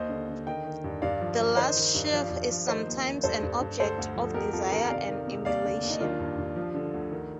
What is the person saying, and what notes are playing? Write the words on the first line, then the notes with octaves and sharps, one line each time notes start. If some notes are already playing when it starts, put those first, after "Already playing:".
The last sheaf is sometimes an object of desire and emulation.
Already playing: D#2 C5 D#5
D3
D3
D#3 D#5 G5
D#3
G2
G2 D5 F5
F3
F3
D#3 C5 D#5
D#3
G2
F3 D5 F5
G2
F3
D#3 C5 D#5
D#2
D#2
G2 A4 C5
G2
G2
D2 A4 C5
D2
F3
F2 G4 A#4
F2 F4 A4
D#3 G4 A#4
C3 D5 F5
D#3
C3
D#2 D5 F5
D3
D#2
D#4
D#3 D4 F4
G2
G2
F3
D3
D2
D#3